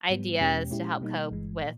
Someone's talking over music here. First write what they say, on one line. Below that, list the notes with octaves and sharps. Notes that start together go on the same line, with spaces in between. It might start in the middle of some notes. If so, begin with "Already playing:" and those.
ideas to help cope with,
G#2 G3 B3
E2 B2 G#3 C#4 G4
A#2 G#3 C#4 E4 G4
B2 G3 A#3 D#4
G1 G2 E3 G#3
A#2